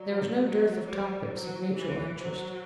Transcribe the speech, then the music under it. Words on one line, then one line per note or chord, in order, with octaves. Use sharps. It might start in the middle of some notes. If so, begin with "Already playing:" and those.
There was no dearth of topics of mutual interest.
Already playing: F#3 D5
F#3 C5
G3 C5
F#3 C5
E3
F#3 C5